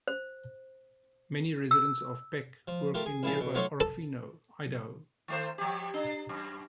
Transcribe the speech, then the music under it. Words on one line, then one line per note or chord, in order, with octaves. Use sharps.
Many residents of Peck work in nearby Orofino, Idaho.
C5
E6
F3
A3 F4 G4 A#4
G#4
A#1 E4 G#4 F5 A5
B2
F#3 A3 D#4 F4 C#5
A4
D#3 A3 C5
F3 G4
D4
F#2